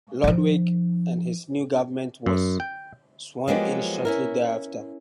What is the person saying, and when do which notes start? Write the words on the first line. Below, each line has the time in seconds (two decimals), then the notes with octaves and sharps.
Ludwig and his new government was sworn in shortly thereafter.
0.24 F3 D#4
2.26 F#2
2.60 G5
3.48 F3 F#3 G#3 A#3 B3 G4
4.05 C#4 E4 A#4